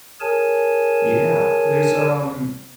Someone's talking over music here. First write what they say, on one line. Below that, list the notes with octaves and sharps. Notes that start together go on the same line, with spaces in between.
Yeah, there's, um,
G#4 A#4 C#5 G#5 A5